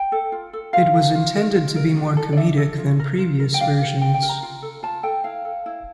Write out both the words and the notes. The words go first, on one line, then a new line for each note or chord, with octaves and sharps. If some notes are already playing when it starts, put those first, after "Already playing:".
It was intended to be more comedic than previous versions.
Already playing: G5
A4
F4
A4
F4 F5
A4
F4
A#4
F4
A#4
D4
A4
D5
D4 E5
A4
F4
A#4
F4
A#4
G5
D4 F5
G4 A#4
D4 G5
G5
G4 A#4
A#5
F4
A4
F4 A5
A4 G5
E4 F5
A4
E4